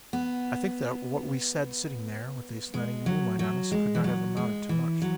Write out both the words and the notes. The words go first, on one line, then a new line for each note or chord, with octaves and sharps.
I think that what we said sitting there with the slanting moonlight on us, could not have amounted to much.
B3
G#3
F#3
F#3
G#3
E3
F#3
G#3
E3
F#3